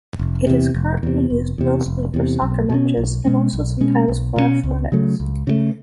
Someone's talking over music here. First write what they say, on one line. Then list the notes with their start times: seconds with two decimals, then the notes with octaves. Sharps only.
It is currently used mostly for soccer matches and also sometimes for athletics.
0.19 F1
0.47 E2 C3
0.74 F1
1.03 E2 C3
1.30 F1
1.58 E2 C3
1.86 F1
2.14 E2 C3
2.42 B1
2.70 B2 G#3 C#4
2.97 B1
3.25 B2 G#3 C#4
3.53 B1
3.81 B2 G#3 C#4
4.08 B1
4.36 B2 G#3 C#4
4.63 C#2
4.92 C#3 F#3 A3
5.20 C#2
5.47 C#3 F#3 A3